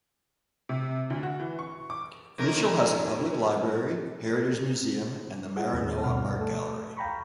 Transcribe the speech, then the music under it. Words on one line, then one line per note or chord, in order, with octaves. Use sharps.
Mitchell has a public library, heritage museum and the Maranoa art gallery.
C3
D2
F#4
E3
C#6
D6
D#2 A#4
E4 F4 G#4 F#5
D#2 A2 C4
D2 G2 B2 F#5 F6
A3 A4
F5 G5 A#5 B5 C#6